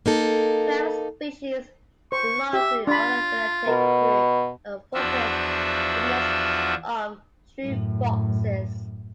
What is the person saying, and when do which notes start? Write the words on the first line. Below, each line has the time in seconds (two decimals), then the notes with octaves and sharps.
Twelve species belong to the monophyletic group of "Vulpes" genus of "true foxes".
0.06 A#3 D#4 A4
2.12 C5 C#6
2.53 G4 E5
2.87 D4 F4 B5
3.67 B2 A#4
4.94 E2 F3 D4 F4 F#4 E5
7.62 F#2 A2